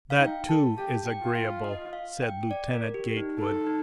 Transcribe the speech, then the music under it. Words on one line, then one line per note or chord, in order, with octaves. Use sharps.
"That, too, is agreeable," said Lieutenant Gatewood.
F5
D#4 G5
A4 A5
G4 A5
G5
F4
F5
D#5
F5
G5
D5
A#4
G4
D#4
D#4 A4
D#4